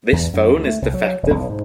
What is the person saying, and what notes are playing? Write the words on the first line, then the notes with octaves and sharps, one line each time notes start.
This phone is defective.
E2
F#2
D2
A3
C2
F#3
E1
B1
G#2